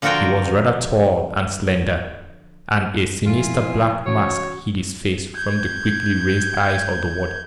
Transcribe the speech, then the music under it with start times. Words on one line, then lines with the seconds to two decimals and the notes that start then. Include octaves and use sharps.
He was rather tall and slender, and a sinister black mask hid his face from the quickly raised eyes of the warden.
0.02 D3 F3 F4 F#4 A#4 G5
3.26 F#2 F3 E4 F4 G#5
4.06 C3 E3 C#4 F#4 C#5
5.36 G6 G#6